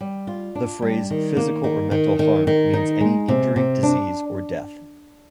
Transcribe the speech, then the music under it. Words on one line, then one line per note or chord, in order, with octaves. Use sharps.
The phrase "physical or mental harm" means any injury, disease, or death.
G3
F4
D4
G3
D#3
A#3
D#3
D#3
D#3
D#3
D#4
G#3
C3
C3
D4